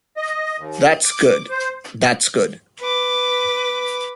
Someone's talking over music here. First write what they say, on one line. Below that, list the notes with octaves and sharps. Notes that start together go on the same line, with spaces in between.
That's good, that's good.
D#5
D#2
D6
C5
B4 D6